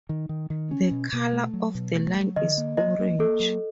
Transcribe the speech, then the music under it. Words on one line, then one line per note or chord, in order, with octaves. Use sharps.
The color of the line is Orange.
D#3
D#3
D#3
C#4
B2
B2
A3
F#3
B2
A3
F#3
D3 D#5
A#3
F#3 D#5
A#3
A#3 A4
F#3